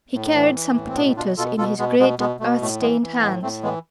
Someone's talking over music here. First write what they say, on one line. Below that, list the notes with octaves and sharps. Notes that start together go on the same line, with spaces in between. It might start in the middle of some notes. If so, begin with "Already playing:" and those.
He carried some potatoes in his great earth-stained hands.
A2
E3
E3
A2
C4
B2 B3 D4
B2 D4 F4
B2 F4 A4
B2 F4 A4
B2 G#3 B3
B2 G#3 B3
B2 G#3 B3
B2 A3
A2 A3
E3 G#3 B3
E3
A2 G#3 B3
A2 A3 C4
E3 G#3 B3